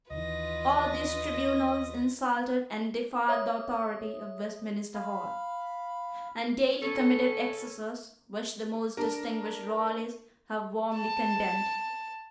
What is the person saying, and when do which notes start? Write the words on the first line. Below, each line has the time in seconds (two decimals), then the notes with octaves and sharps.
All these tribunals insulted and defied the authority of Westminster Hall, and daily committed excesses which the most distinguished Royalists have warmly condemned.
0.10 D#2 D#3 E3 F4 B4 D#5 A#6
3.28 C#5 E5 D#6
4.95 F5 B5
6.81 C#3 C#4 A4
8.97 D4 A#4
10.95 A5